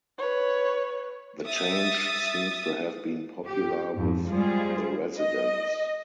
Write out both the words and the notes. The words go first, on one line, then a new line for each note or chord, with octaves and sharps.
The change seems to have been popular with the residents.
B4 C#5
E5 D#6 A6
G4
F2 G#2
G3 G#3 F4 G#4 C5
D#5